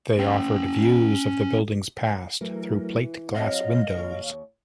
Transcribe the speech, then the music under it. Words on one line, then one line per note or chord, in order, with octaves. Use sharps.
They offer views of the building's past through plate-glass windows.
C#4 G5
E3 F#3 A3 A#4
F#3 C4 D#5 F5
D#2 C#5